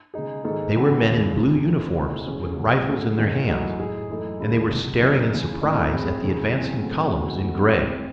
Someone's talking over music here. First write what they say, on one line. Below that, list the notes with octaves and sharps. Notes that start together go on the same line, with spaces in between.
They were men in blue uniforms with rifles in their hands, and they were staring in surprise at the advancing columns in gray.
C#3 G#3 D#4 G#4
G#2 D#3 G#3 D#4 A4
C#3 E3 C4 F#4
D#2 C#3 E3
C#2 C3 E3
G#2 E3 A3
C3 E3 A3 D#4 F#4
E2 C#3 G#3 C#4
C#2 C#3 F#3
C#3 F#3 A3
E2 D#3 G#3 C#4
F#2 E3 A3 D#4 F#4
A2 G#3 D#4 G#4
F#2 E3 A3 D#4 A4
D#2 C#3 G#3 C#4 E4
C#2 C3 D#3 F#3
F#2 E3 C4 D#4
D#2 C#3 E3
A2 E3 A3 C4 D#4
A2 E3 C4 E4 G#4
E2 C#3 G#3
E2 C#3 F#3 C4
A2 F#3 A3 C4
C#3 E3 A3 C4 F#4
F#2 D#3 A3 C4 F#4
G#2 E3 G#3 C4